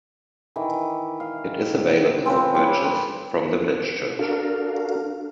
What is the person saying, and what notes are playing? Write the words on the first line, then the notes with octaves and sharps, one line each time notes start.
It is available for purchase from the village church.
D#3 E3
F5
C4 C#4 F4 B4
G3
D4 F#4 A4 A#4 F5